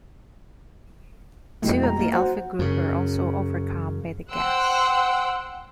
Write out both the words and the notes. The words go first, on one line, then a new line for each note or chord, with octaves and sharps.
Two of the Alpha Group were also overcome by the gas.
F2 B2 G#3 A3 E4
A#5
A#3 D#4 F4
F#4 C5 F#5
F#2 C#3
C5 F#5 G5 C6 E6 F#6